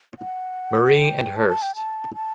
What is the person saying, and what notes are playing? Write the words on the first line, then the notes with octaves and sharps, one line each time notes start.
Marie and Hearst.
F#5
G5
A5
A5
G5
A5
A5